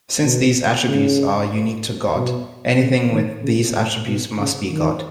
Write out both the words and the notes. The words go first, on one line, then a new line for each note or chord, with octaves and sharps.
Since these attributes are unique to God, anything with these attributes must be God.
B2
C#3
B2
C#3
D#3
C#3
B2
C#3
D#3